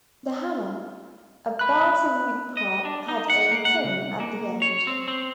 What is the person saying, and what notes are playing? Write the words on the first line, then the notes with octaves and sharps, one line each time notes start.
The hammer, a balsa-wood prop, had a pin at the end.
B5 F#6
D#5
D4
D#4
F#5
A#3
F#5
C#3
C2
A#3
C#5
C4
C4